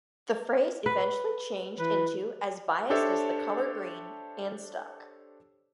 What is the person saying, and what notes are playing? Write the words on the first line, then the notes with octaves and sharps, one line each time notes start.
The phrase eventually changed into "as biased as the color green", and stuck.
B4
E3 B4
D4 G4 A4 C5 C#5 E5